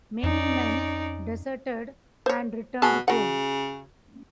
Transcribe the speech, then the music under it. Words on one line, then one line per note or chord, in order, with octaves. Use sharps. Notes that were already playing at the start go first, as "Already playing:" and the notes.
Many men deserted and returned home.
F2 C#4 D#4 D5
C5 C#5
B2 G#4 G#5 A5
C#3 F#4 F#5